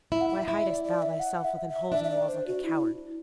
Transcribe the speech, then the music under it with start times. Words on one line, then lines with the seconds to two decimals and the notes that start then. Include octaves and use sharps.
Why hidest thou thyself within holes and walls like a coward?
0.12 E4 E5
0.21 F#5
0.29 E5
0.48 E4 E5
0.67 D5
0.84 D5
1.02 E5
1.20 F#5
1.45 E5
1.68 E5
1.92 D4 E5
2.04 E5
2.10 D5
2.29 C5
2.47 F#4
2.64 E4